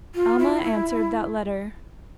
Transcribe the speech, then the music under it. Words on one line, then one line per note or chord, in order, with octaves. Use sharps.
Alma answered that letter.
F4
E4
E4